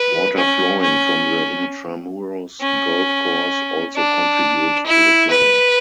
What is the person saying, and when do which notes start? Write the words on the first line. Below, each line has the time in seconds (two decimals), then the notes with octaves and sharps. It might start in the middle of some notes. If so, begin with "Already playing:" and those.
Water flowing from the Intramuros Golf Course also contributes to the flooding.
Already playing: B4
0.37 C#4
0.82 C#4
2.61 C#4
3.96 D4
4.86 E4
5.30 B4